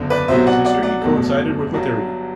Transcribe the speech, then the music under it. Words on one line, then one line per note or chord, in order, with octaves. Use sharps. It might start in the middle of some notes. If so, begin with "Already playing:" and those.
Yet his history coincided with my theory.
Already playing: F#1 E2 D3
B4 D5
C2 B2 F#3 B3 C5 E5
D5 F#5
D5 F#5
D5 F#5
F#1 E2 B2 A3
G1 G2 F#3